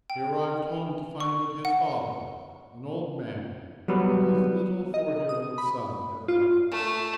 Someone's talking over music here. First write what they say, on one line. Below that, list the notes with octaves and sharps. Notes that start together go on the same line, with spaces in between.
He arrived home to find that his father, an old man, and his little four-year-old son had died.
G5
C#6
F#5
F#3 G3 B3 B4
D#5
D#6
B5
F4
A3